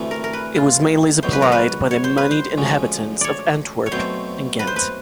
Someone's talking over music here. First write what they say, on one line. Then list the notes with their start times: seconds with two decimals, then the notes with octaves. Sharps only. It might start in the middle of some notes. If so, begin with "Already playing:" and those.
It was mainly supplied by the moneyed inhabitants of Antwerp and Ghent.
Already playing: D2 C3 E3 A3
0.11 A#4
0.24 A#4
0.33 B4
0.56 F4
1.23 C#2 B2 F#3 C5
1.33 B4
1.42 A#4
1.52 B4
1.91 C#5
2.04 C5
2.17 B4
2.31 C5
2.57 D2 D3 F3 G#3 C#4
3.21 C#5 D5
3.86 C#5
3.91 B2 F#3 A3 C4 C5
4.59 B4
4.67 C5
4.76 B4